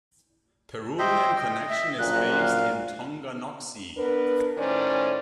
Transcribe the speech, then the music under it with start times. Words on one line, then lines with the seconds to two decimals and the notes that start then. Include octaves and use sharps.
Peruvian Connection is based in Tonganoxie.
0.99 C5 D#5 E5 G5
1.36 D#5
1.69 E5
1.99 A#1 F#2 A#2 F#6
2.38 F5
3.97 B3 D4 A#4 B4
4.58 A2 D#3 C#4 C5 D5